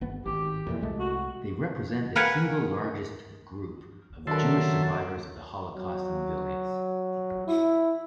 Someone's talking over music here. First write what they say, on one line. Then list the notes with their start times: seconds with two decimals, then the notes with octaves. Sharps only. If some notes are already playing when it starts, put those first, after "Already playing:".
They represent the single largest group of Jewish survivors of the Holocaust in Vilnius.
0.01 G1 B3
0.26 G#1 G4
0.67 F2 A#2 E3
0.81 C2 G#3 A3
0.99 F#4
2.16 A#4 B4 F#5 G#5
4.27 D#3 F#3 D4 A4 A#4 E5 A5 C6
5.75 F#3
7.47 E4